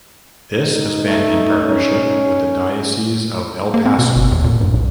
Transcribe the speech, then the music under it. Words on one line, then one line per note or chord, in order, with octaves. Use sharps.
This has been in partnership with the Diocese of El Paso.
D#4
A3
C#4
A#3
C4
B2
G1
E2
A#2
G2
B1